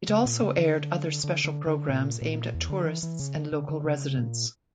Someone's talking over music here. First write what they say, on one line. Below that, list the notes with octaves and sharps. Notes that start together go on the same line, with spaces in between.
It also aired other special programs aimed at tourists and local residents.
C#3
A#2
C#3
D3
D3
D3
D3
A#2
A#2
E2
D3
E3
E3
C#3
D3
D3
D3
C#3
A#2